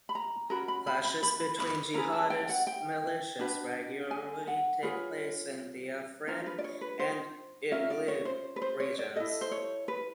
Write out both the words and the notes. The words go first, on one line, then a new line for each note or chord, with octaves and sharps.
Clashes between jihadist militias regularly take place in the Afrin and Idlib regions.
B5
A#5
C#4 F#4 A#4 B5
B5
B5
B5
B5
B5
B5
C#4 E4 G#4 B4 A#5
A5
G5
F#5
G5
D4 F#4 B4
G#5
F#5
F4 G#4 B4 C#5
D4 F4 A#4 C5
B4
D5
C#5
B4
C5
C#4 F4 A#4 E5
D5
C#5
C5
B4
C5
C#5
D5
E4 A4 D#5
C5
C#5
B4